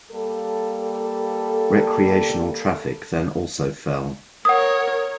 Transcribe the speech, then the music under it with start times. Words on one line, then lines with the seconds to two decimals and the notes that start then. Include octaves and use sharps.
Recreational traffic then also fell.
0.12 G3 A#3 A4
4.45 A#4 C#5 F#5 D#6